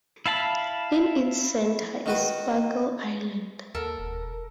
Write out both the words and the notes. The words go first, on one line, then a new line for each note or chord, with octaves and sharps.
In its center is Sparkle Island.
E4 F5 A5 B5
D#3 F#4 B4
D#2 A4 A#4
E1